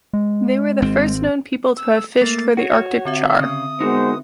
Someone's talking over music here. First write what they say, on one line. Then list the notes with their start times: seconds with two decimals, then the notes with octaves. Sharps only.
They were the first known people to have fished for the Arctic char.
0.13 G#3
0.82 G#1 C4
1.77 E6
2.21 A3 A#3 A6
2.57 F#4 C#5
3.05 D3 C4 E5
3.40 C#3 D#6
3.81 G#3 B3 D#4 F#4 A#4 C5